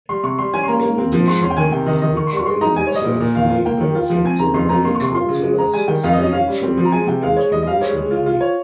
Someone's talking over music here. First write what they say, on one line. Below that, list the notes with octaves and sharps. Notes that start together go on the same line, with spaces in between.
In addition, the training itself may benefit the lay counselors spiritually and emotionally.
G3 C6
C3 C#6
G3 C6
C#4 G#5
C6
A#3 A#5
A#3
C4
F3
G#2 C6
C#4 C6
G5
D#3 G#5
C3 G5
D#3 D#5
D#3 D#5
D#3 C#6
C6
G3 C#6
G#3 C6
D#4 A#5
G3 G#5
C#5
G3 D#5
A#2
A#2
D#3 F5
F4
A#3 G5
D#3
F4
F3
C4 G#5
C#3 A#5
F2 C6
F2 A#5
A#3 C6
C#6
C3 C6
F4 C6
C#3
G#3
G#3 A#5
G3 G#5
D#3 G5
F2 F5
D#5
C#4
D#5
C#4 F5
G3
C4
F3
A#5
G#3 G#5
C3 G5
G#3 F5
G#3 C#5
G3 D#5
D#5
G3 F5
G#3 C#5
G#3
F4
F4
C#5